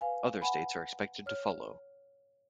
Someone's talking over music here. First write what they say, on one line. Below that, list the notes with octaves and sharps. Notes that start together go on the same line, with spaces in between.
Other states are expected to follow.
B4 F5 G#5
F#5 G#5 B5
C#5 F6